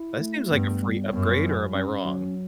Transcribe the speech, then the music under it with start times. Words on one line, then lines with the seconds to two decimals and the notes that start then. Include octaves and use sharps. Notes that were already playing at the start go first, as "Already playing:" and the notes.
That seems like a free upgrade, or am I wrong?
Already playing: E4
0.20 A3
0.51 G2 B3
0.82 G3
1.13 F#2 B3
1.44 F#3
1.75 C#4
2.06 F#3